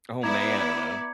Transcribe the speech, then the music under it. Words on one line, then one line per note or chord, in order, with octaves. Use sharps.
Oh, man, uh
B3 E4 D5 A#5 D6 G#6
G#6 C#7